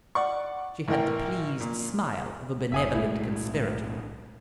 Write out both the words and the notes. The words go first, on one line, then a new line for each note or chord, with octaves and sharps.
She had the pleased smile of a benevolent conspirator.
D5 F#5 C#6
A1 E3 A#4 G5
A#2
F#1 E5 G#5 D#6
B1 A2 G#3 E4